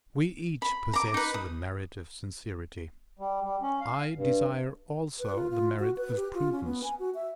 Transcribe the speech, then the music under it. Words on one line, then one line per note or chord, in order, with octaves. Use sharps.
We each possess the merit of sincerity; I desire also the merit of prudence.
B5
A#5 D6
D#4 B4
D#6
G3
G3
C#4
F5
G2
B4
F4
F4
F#4
B4
G4
F4
C#4
B3
G#5
F#4
E5